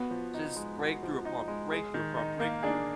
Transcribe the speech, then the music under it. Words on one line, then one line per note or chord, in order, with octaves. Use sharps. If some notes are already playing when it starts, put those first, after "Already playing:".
Just breakthrough, upon breakthrough, upon breakthrough.
Already playing: B3 F#4
F3
D#4
G#3
F#4
F3
D#4
G#3
G#4
D#3
D#4
A#3
D4 G#4